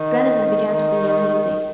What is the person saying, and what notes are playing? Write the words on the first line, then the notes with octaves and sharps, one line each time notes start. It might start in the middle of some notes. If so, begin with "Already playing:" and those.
Glenarvan began to be uneasy.
Already playing: D#3
D#3